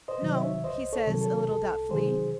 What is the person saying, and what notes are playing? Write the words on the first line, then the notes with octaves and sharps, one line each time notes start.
"No," he says, a little doubtfully.
C5 D#5
C3 D#3 F#3
C#5 E5
C2 C5 D#5
A4 C#5
C3 D#3 F#3
A4
C2 A4
C3 D#3 F#3 G#4 C5